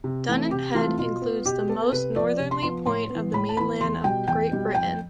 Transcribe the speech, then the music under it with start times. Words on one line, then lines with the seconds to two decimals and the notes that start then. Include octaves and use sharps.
Dunnet Head includes the most northerly point of the mainland of Great Britain.
0.04 C3
0.28 E3 A3 C4
0.51 C3 G4
0.74 E3 A3 C4 F4
0.99 B2 F4
1.22 B3
1.46 B2 G4
1.69 B3 A4
1.92 C3 B4
2.16 F3 B3 D5
2.39 C3
2.51 C6
2.63 F3 B3 C6
2.86 A2 C6
3.10 B3
3.15 E3
3.33 A2 B5
3.49 A5
3.57 E3 B3 B5
3.81 E2 C6
4.04 B2 G3 G5
4.28 E2 G5
4.51 B2 G3
4.75 F2 G5